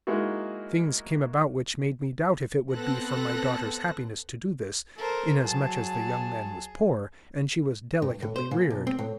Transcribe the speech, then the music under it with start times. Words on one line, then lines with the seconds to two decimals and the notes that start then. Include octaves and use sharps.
Things came about which made me doubt if it would be for my daughter's happiness to do this, inasmuch as the young man was poor, and she was delicately reared.
0.07 G#3 A#3 D#4 E4 F#4
2.74 B3 C4 A4 F#6 A#6
4.98 A4 A#4 C5
5.41 F#3 G#4 A5
8.02 G2
8.22 A2
8.36 C5
8.51 A#2
8.70 B1
8.87 C4
8.99 A2